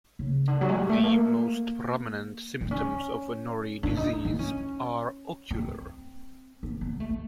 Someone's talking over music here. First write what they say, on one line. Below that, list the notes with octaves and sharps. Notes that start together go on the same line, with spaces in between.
The most prominent symptoms of Norrie disease are ocular.
C#3
D3
F#3
G#3
G3
A3
A#3
C4
C#4
D4
D#4
E4
C#4
C4
B3
B3
A3
A3